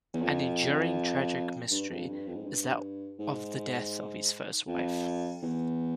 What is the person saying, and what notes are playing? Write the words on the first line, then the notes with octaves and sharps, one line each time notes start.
An enduring tragic mystery is that of the death of his first wife.
E2
F2
G2
F2
G2
F2
G#2
G2
G#2
F2
E2